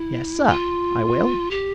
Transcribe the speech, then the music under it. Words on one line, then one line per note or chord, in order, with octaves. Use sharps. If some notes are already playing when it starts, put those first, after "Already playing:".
"Yes, sir, I will."
Already playing: E4
F4
G4